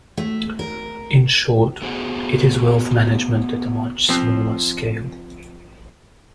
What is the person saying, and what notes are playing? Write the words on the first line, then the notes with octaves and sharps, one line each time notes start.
In short, it is wealth management at a much smaller scale.
A3
A#4
A3 B3 F#4 G#4 C5 F#5
F3 C4